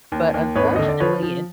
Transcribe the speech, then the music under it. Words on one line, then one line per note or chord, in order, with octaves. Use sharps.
but unfortunately in
D#2
D#2
G#1 B4 C#5
D3 D#5
D5
F3 B4 C#5
F3